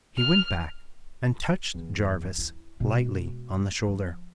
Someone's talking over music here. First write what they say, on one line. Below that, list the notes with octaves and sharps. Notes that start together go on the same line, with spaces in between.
He went back and touched Jarvis lightly on the shoulder.
F6
E2
E4
B2 G#3
F3